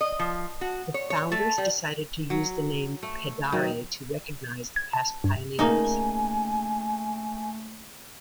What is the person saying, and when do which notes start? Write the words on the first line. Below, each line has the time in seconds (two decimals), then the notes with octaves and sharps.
The founders decided to use the name "Pedare" to recoginise the past pioneers.
0.01 D#5
0.19 F3
0.61 F#4
0.94 C#5
1.10 C#5
1.32 A3
1.58 G3
2.30 F#3
3.03 A3
3.52 D#3 F#3
4.76 G#6
4.93 A5
5.24 G2
5.59 C#3 A3 A#3 D#4 G#5